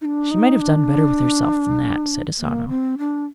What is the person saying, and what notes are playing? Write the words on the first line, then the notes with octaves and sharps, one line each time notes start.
"She might have done better with herself than that," said Asano.
D#4
D4
D#4
D4
A#3
C4
D4